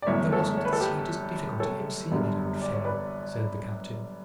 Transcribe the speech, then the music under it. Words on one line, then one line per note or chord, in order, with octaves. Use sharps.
"There wasn't the slightest difficulty in seeing it, old fellow," said the Captain.
D5
G1 F#2 E3 A3 C#5 E5
A4 C#5
C#5
B4
A4
G4 B4
A4 C#5
G1 F#2 D3 G3
D5
C#5
B4 D5